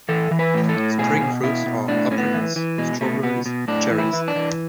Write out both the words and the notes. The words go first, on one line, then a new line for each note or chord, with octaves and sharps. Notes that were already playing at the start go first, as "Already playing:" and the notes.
Spring fruits are apricots, strawberries, cherries.
E3 A4
E3
B4
A2
A4
A2
B2 G#4
B2
B2 E4
B2
A2 D4
A2 C#4
B3
E3
E3
B2 G#3
B2 A3
B2 B3
B2
A2 D4
E3
E4
E3
D4
E3